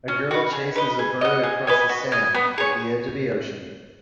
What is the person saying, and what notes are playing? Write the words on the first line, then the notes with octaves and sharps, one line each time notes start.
A girl chases a bird across the sand at the edge of the ocean.
C#4
F#4 B4
G#4
B4 D#5
G#4
D#5 F#5
G#4
B4 D#5 G#5
F#4
D#5 G#5
B3
G#4 C#5